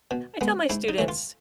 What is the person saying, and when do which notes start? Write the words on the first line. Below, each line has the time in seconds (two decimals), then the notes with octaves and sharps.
I tell my students,
0.11 B2
0.41 G#3 B3
0.70 G#2 E4
0.89 D#4
0.98 E3 A3
1.08 F4